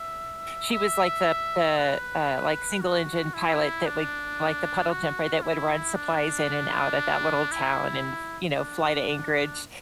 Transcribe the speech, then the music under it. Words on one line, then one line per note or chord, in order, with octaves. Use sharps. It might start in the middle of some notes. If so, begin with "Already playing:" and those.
she was like the the, uh, like, single-engine pilot that would, like, the puddle-jumper that would run supplies in and out of that little town and, you know, fly to Anchorage.
Already playing: E5
E5
B4
F#4
E4
D4
F#4
E4
D4
E4
D4
D4